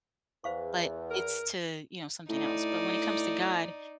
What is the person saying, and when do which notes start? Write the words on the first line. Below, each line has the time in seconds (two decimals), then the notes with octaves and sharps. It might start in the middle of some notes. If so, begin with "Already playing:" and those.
but it's to you know, something else, but when it comes to god,
0.44 E2 C5 F5 C#6
1.11 A#4
2.29 A2 D#4 D5